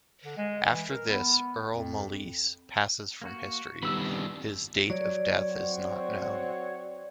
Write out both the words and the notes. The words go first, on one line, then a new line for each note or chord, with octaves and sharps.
After this, Earl Malise passes from history; his date of death is not known.
D3
G#3
E3
A#4
B3
F2
A#3 F#4
D#3 G3 B3 B5 E6
G#3 C4 D4
F#3 C#5 D5
C4 F#4